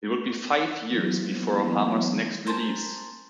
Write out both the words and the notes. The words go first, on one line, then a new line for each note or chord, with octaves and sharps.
It would be five years before Harmer's next release.
E3 F#3 A#3 B3 E4 C5
A#4 C5 G#5 A5